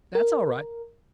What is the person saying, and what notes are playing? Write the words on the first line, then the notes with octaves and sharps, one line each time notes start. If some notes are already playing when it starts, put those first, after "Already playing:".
That's all right.
A#4